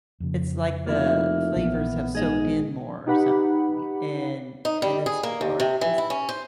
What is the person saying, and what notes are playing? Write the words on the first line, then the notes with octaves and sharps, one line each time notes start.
it's like the flavors have soaked in more, or something, and and it's more tasty.
F2 C#3
F1 A#3 E4
A#1 A#2 E3 B3
G#2 G#4 D#5
D#4 G4 B4 F#5 B5
D#4
G3
G#4
A#3
D#2
C3
E3
E4
C#4
C5